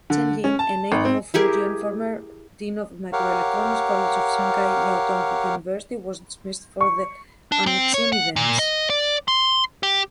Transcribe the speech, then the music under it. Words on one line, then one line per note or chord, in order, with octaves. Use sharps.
Chen Jin, a native of Fujian, former dean of Microelectronics College of Shanghai Jiaotong University, was dismissed for the Hanxin events.
D3
C#4
A5
G#1
C4
E4 G4 G#4 A#4
G4 A#4 C#5 F5 F#5
C#6
D4
C4
C#5
F#5
A#2
D#5
D5
C6
G4